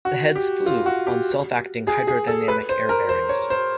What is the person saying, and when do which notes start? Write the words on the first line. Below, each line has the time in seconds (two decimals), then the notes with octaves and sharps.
The heads "flew" on self-acting hydrodynamic air bearings.
0.05 F#4
0.35 G4
0.66 F4
0.86 F#4
1.07 G4
1.87 G#4
2.07 G#4
2.28 A4
2.48 B4
2.69 C5
2.89 A#4
3.09 C5
3.29 C#5
3.50 C5